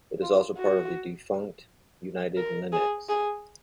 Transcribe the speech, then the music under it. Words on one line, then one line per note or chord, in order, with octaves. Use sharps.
It is also part of the defunct United Linux.
F4
F#4
A#4
G#4
G#4